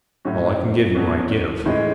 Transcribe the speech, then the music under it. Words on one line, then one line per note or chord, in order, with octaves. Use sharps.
All I can give you I give.
A2 F#3 C#4 F#4
B2 F#3 C#4 F#4
A2 E3 G#3 C#4